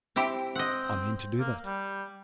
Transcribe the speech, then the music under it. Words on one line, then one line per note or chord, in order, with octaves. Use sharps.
'I mean to do that.
C4 E4 G4
C4 D#5 F#5
A#3
G3